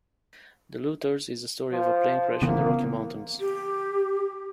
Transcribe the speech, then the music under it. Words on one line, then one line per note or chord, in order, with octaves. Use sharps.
"The Looters" is the story of a plane crash in the Rocky Mountains.
F3
C#3 E3 A#3 B3
G4